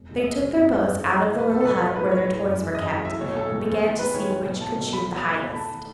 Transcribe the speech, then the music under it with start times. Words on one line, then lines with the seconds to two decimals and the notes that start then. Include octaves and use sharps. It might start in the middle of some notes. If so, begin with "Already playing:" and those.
They took their bows out of the little hut where their toys were kept, and began to see which could shoot the highest.
Already playing: E1
0.09 E2 B2 G#3
0.18 E5
0.24 E1 D#5
0.41 E2 B2 G#3
0.56 F#2
0.72 E3 A3
0.87 F#2 G#4
1.03 E3 A3
1.18 B1
1.34 B2 A3 B4
1.49 B1 A4
1.61 A4
1.65 B2 A3 B4
1.80 B1
1.96 A2 G#3 B4
2.11 B1 C#5
2.27 A2 G#3
2.43 F#2
2.58 E3 G#3
2.74 F#2 D#5
2.90 E3 G#3
3.05 B1 E5
3.21 B2 A3 C#5
3.36 B1 A4
3.52 B2 A3
3.67 E2
3.83 D#3 G#3
3.99 E2 B4
4.14 D#3 G#3 C#5
4.31 B1
4.45 B2 A3
4.61 B1 A5
4.77 B2 A3
4.92 C#2 B5
5.08 B2 A3
5.23 C#2
5.39 B2 A3
5.50 B5
5.54 E2 A5
5.70 D#3 A3